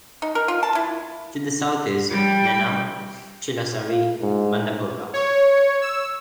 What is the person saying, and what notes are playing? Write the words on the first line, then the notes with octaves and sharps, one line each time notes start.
To the south is Nannau, Chilasari, Mandarpura.
D#4
A#4
F4
A5
E4
G3 G5
F4
G#2
C#5
E6